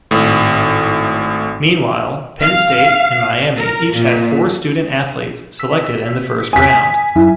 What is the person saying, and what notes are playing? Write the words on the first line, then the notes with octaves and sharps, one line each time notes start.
Meanwhile, Penn State and Miami each had four student-athletes selected in the first round.
G#1 A2
F5
A#4
A#2
E6 B6
G#5 D#6 B6
F#2 E4